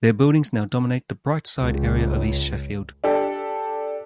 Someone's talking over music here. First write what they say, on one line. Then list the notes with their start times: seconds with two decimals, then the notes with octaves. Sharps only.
Their buildings now dominate the Brightside area of East Sheffield.
1.60 C#2
3.04 D4 G4 A4